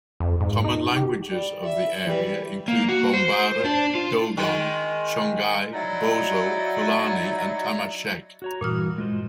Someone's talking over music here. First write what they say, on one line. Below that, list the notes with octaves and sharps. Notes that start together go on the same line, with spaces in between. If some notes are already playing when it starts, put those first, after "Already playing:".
Common languages of the area include Bambara, Dogon, Songhai, Bozo, Fulani and Tamashek.
F2
G#2
D#4
G4
G3
E5
E3 G3 B4
A#3
F#4
C5
D4
F4
D#3 G#3
F#3 D#4 E4 F#4 D5 D#5
F#4 C#5 A#5
G2 A#2 E3 F#4 D#6 F6
G#3 F4 C5